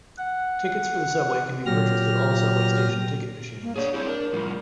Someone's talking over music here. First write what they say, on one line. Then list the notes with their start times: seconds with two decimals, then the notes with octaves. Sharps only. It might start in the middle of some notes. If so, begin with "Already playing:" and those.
Tickets for the subway can be purchased at all subway station ticket machines.
0.18 F#5
1.66 A#2 F#3 G4 F6 A#6
3.62 A#3
3.76 D4 G#4 C#5
3.94 C4 E4 G4 C#5
4.06 D4 A#4
4.33 A2 F3 G3